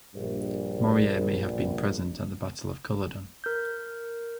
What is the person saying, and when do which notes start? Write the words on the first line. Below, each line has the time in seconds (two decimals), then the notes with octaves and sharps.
Morier may have been present at the Battle of Culloden.
0.15 A#1 G2
3.44 A#4 G6